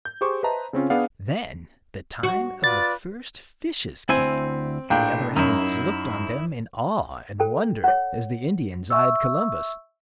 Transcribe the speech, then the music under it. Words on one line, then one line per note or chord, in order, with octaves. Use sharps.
Then, the time of the first fishes came, and the other animals looked on them in awe and wonder as the Indians eyed Columbus.
G6
G4 G#4 C5 C#6 D6
B4 C5 D#5 E5 A5 A#5
C#3 C4 C#4 F4
B3 D4 G#4 D5 F5 F#5
F#4
F4 B4 D5 A6
D2 C4 E4 G#5
A#1 A2 D4 G5
F#2 D#4 E4
A4 G5
C#5 F#5
E5 C#6 E6